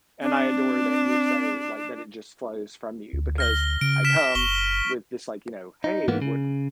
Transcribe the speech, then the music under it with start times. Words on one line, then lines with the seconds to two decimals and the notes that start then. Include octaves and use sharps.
and I adore that you're so like, that it just flows from you because I come with this, like, you know, "Hey, what
0.22 C4 D4
3.13 D2
3.38 F6 A#6 G7
3.81 C#3 D7
4.04 F6 B6 E7
4.35 F#1 C#6 G7
5.84 D#4
6.08 G#2 E3 A#3 B3
6.22 C#3